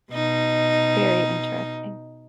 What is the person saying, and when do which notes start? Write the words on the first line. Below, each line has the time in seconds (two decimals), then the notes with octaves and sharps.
Very interrupting.
0.12 B2 D#4